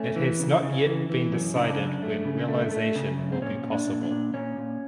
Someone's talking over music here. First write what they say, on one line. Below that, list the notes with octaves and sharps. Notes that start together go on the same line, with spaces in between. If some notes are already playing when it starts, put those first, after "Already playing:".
It has not yet been decided when realization will be possible.
Already playing: A3 C#4
E3
C#3
C#3
E3
E3
F#2
C#3 D4
D#4
D4
F#2
A3
C#3
A3
A3
C#3
F#2
C4
A#2 C#4
A#2
D4
A#2
D4
A#2
A#2 C#4
A#2